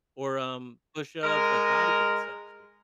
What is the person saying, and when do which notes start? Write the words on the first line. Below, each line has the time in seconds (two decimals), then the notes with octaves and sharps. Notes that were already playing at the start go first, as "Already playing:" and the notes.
Or, um, push-ups, like body weight stuff is great.
1.23 G#3 A#4